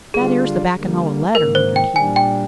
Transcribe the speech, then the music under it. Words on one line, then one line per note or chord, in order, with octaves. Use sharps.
"That ere's the backin' o' a letter," muttered he.
D3 G3 D4 F4 G#4
D3 G3 A#3
G#2 D#3 A#3 A#4
C5
G5
A#2 G3 D4 G#5
G5